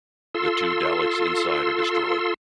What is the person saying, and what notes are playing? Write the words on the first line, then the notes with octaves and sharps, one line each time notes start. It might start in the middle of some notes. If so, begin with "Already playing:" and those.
The two Daleks inside are destroyed.
F4 A4 C6 E6